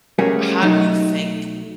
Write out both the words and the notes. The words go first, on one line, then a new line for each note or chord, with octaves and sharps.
how do you think
G3 A3 A#3 C#4 F#4 G#4
B1 F#3 A3 D#4